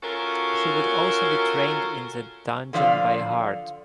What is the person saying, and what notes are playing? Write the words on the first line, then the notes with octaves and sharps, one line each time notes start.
He would also be trained in the Dungeon by Hart.
C#4 F4 F#4 A4 A#4
D3 F3 D5 E5 F5